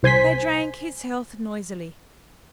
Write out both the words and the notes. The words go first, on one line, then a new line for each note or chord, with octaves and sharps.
They drank his health noisily.
C2 C5 G#5 C6 B6